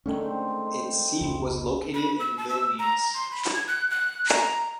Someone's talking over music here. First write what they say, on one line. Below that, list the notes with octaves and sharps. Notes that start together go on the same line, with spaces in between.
Its seat was located in Vilnius.
D3 D#3 G#3 A3 C#4
C4
D#4 C6
F1 C#2 B5
B5
E6
A5
E6
A#5
C6
B5
G#6
F#6
F#6
A#5